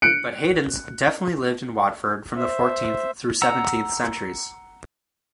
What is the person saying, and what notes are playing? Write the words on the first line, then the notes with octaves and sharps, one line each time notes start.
But Heydons definitely lived in Watford from the fourteenth through seventeenth centuries.
F#6 C#7 D7
C5 E5
F#5 A#5 E6